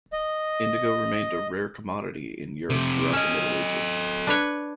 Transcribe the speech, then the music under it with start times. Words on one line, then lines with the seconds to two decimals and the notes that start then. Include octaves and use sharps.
Indigo remained a rare commodity in Europe throughout the Middle Ages.
0.13 D#5
2.70 F2 C3
3.13 C#4 A4 D#5
4.27 D4 B4 C#5